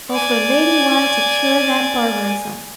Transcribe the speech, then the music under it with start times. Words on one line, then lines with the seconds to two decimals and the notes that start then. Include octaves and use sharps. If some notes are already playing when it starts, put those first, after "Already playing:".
Oh for Lady Why to cure that barbarism!
0.10 D5 G#5